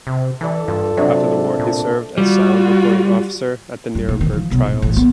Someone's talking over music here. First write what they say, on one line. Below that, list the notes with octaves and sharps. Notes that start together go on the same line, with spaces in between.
After the war, he served as Sound Recording Officer at the Nuremberg Trials.
C3
E3 A4 D5
G2 F4
C3 F#3 D4
A#2
G3 F4 F#4
G2
A#2
D#3
F3
B1
D1
A1
B3